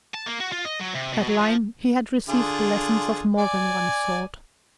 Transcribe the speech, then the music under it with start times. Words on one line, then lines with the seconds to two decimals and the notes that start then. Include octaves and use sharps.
At Lyme, he had received lessons of more than one sort.
0.14 A5
0.26 A#3
0.40 F#4
0.52 F4
0.65 D#5
0.80 F#3
0.95 C3
1.14 B2
1.29 F#3
1.41 F3
2.29 D3 F4 G#4
3.38 D5 G#5